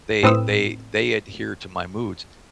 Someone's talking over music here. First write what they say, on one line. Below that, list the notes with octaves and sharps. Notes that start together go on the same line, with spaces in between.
they they they adhere to my moods,
A2 C4 B4 D#6 E6